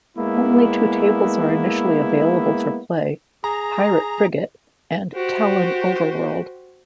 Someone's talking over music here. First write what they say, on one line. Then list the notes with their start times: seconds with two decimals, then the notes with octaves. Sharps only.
Only two tables are initially available for play: Pirate Frigate and Tallon Overworld.
0.17 G#3 A#3 B3 E4
3.44 G#4 A#5
5.13 F#4 G4 C5